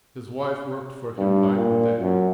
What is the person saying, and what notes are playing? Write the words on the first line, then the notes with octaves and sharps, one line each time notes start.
His wife worked for him night and day.
G2
A#2
F#2